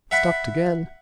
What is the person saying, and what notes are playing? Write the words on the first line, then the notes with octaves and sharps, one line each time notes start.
Stopped again.
E5 F#5 B5